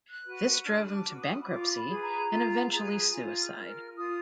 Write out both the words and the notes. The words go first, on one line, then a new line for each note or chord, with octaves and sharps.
This drove him to bankruptcy and eventually suicide.
F#6
F#4 B4
D4 F6
D6
F#4 B4
D#6
B5
F4 D6
B5
G#4 B4
A#5
F4
G#4 B4
F4 G#5
F6
A#4
F6
F4 D#6